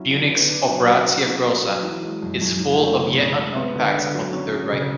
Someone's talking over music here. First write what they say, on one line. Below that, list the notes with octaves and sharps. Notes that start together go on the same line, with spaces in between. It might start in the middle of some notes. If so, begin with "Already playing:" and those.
Bunich's "Operatsia Groza'" is full of yet unknown facts about the Third Reich.
Already playing: F#3 C#4 E4
D3
B3
D4
F#3
F#3
C#4
F#4
B4
F#3
E3
G#3
F#2
F#2
E3
A3
C#3
C#3
G#3
B3
D3
D3
F#3
C#4
G#4
C#3